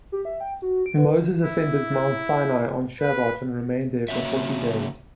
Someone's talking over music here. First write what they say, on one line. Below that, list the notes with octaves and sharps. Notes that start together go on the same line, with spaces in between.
Moses ascended Mount Sinai on Shavuot and remained there for forty days.
G4
E5
G5
F#4
D7
B4
E4
B4
C#3 A#3 F#4 C#5 E5